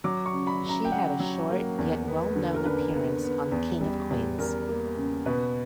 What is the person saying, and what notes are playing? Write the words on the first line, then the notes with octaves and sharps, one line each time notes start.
She had a short yet well known appearance on King of Queens.
F#3 D6
C#6
C#3
B5
C#3
A#5
G5
C#3 F#5
F#3
A#3
E2
B3
D3
A#4
D3 B4
B3
B3
E2
G3
E2
E2 A#4
A#3
C#3
B2 B4